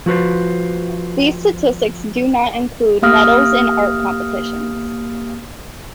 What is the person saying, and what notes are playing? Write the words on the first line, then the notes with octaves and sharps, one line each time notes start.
These statistics do not include medals in art competitions.
F3 F#4 B4 C5
A#3 G4 F5 D#6 F6 A#6